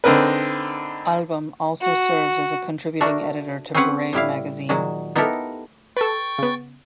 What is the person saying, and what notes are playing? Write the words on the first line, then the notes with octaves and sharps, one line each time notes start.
Albom also serves as a contributing editor to "Parade" magazine.
D3 C4 D#4 A#4 B4
F#4
A3 D4 F#4 A#4
C4 C#4 G#4 B4 C#5 F#5
A2 G3 E4 F5
A#2 D#3 F#3 G#3
B3 D#4 E4 G4 A4 A#4
A4 B4 G5 C#6 A6
C#3 B3